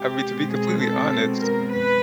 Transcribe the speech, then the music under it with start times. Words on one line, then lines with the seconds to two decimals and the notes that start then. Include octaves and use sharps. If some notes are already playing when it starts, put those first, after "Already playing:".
I mean, to be completely honest
Already playing: B2 G#3 C4 G4
0.51 G#4
0.81 A4
1.40 A#4
1.71 B4